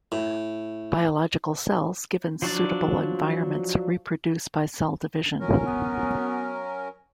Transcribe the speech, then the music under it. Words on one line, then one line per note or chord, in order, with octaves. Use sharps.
Biological cells, given suitable environments, reproduce by cell division.
A2
F3 F#3 D4 D5
F#3 C#4 A#4
B3